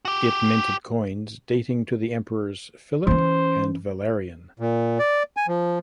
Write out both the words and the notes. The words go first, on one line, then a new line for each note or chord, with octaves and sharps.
It minted coins dating to the emperors Philip and Valerian.
F#4 G4
E3 C#4 C5
A#2
D5
G#5
F3